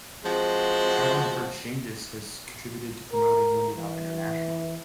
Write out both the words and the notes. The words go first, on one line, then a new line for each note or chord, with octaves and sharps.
Traveling for exchanges has contributed to promoting lindy hop internationally.
F3 G#3 C4 F#4
A#4
E3